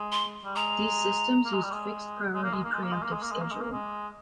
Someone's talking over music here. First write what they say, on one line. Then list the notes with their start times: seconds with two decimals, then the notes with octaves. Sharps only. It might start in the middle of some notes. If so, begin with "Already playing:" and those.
These systems used Fixed priority pre-emptive scheduling.
Already playing: G#3
0.12 C6
0.45 G3
0.56 G#3 A#5
1.45 A#3
1.54 G#3
1.62 G3
1.72 G#3
2.34 G#3
2.43 A#3
2.53 G#3
2.64 A#3
2.73 G#3
2.83 A#3
2.92 G#3
3.03 A#3
3.12 G#3
3.22 A#3
3.31 G#3
3.42 A#3
3.52 G#3
3.61 A#3
3.71 G#3